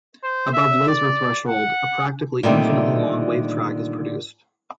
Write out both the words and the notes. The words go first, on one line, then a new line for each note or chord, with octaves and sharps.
Above laser threshold, a practically infinitely long wave track is produced.
C5
E5
D5
F#5
A#2 D3 D#3 G3 A3 C4